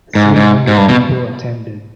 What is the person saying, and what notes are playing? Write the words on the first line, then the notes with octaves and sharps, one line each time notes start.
Three hundred people attended.
G#2
G#2
G#2
G2
B2